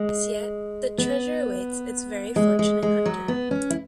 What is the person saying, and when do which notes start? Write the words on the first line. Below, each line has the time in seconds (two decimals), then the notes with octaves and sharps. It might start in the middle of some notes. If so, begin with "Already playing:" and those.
As yet, the treasure awaits its very fortunate hunter.
Already playing: G#3
0.98 B3
2.36 G#3
2.59 G#3
2.83 G#3
3.06 F#3
3.28 B3
3.51 C#4
3.70 E4